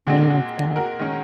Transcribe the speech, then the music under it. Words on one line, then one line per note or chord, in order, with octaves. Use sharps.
Little of that.
A#2 G#3 C4 F#4
F#4
F#4 A#4
D#3 G#3 C#4